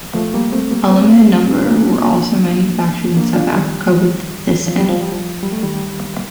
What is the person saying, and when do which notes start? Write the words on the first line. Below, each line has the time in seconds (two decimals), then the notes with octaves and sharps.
A limited number were also manufactured in South Africa with this engine.
0.15 F3 A3
0.34 G3 A#3
0.52 A3 C4
0.72 G3 A#3
0.90 A3 C4
1.65 A#3 D4
3.16 A#3 D4
3.35 D4 F4
3.54 D#3 G3
4.67 F3
4.78 G3
4.89 F3
5.00 G3
5.12 F3
5.43 G3
5.52 A3
5.63 D#3 G3